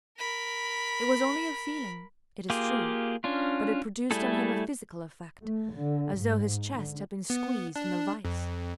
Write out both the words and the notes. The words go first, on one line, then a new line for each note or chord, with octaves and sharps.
It was only a feeling, it is true, but it produced on him a physical effect, as though his chest had been squeezed in a vice.
A#4 B5
A#3 F4 G4 G#4
C#4 D4 F4
G3 A3 E4 G#4 A4
A3
D3
G#2
D3
B3
D4
F2